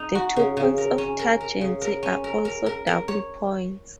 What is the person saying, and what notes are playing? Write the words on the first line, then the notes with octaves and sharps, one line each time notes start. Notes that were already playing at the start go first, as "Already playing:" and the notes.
The two points of tangency are also double points.
Already playing: D#4
F#4
C#3
C#3
A#4
C#4
A#4
A#4
C#3
A#4
C#4
A#4
A#4
A#4
A#4
C#5